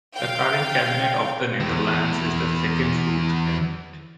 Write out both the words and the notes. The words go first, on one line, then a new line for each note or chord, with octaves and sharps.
The current cabinet of the Netherlands is the Second Rutte cabinet.
F5 G5
E2 E4